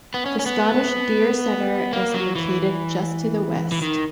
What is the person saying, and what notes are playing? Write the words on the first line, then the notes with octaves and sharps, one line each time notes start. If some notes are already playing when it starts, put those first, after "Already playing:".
The Scottish Deer Centre is located just to the west.
B3
C#4
C#4
B3
A#3
F#3
E3
E3
D#3